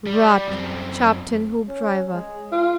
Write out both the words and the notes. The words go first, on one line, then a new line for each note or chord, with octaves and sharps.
"Rot!" chopped in Hoopdriver.
G3
F#2 C4
C#4
G#3
F4